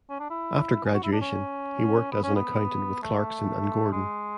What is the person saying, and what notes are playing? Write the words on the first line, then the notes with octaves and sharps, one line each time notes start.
After graduation, he worked as an accountant with Clarkson and Gordon.
C#4
D4
E4
G#4
F#4
E4
D4
C#4
B3
C#4
B3
A3
G#3